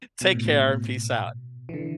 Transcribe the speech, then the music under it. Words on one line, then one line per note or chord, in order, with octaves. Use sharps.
Take care and peace out.
B2
A2
B2
B2
E3
D3